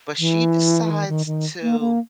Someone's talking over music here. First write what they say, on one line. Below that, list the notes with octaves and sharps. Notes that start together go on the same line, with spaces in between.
But she decides to
E3
D#3
D#3
D#3
A#3
A#3